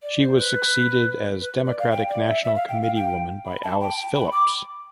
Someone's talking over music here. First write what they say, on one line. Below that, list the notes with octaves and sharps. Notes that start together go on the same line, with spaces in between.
She was succeeded as Democratic national committeewoman by Alice Phillips.
D5
C5
B4
B4
D5
F5
G5
D5
E5
E5
F5
G5
F5
G5
B5
A5
G5
G5
B5
D6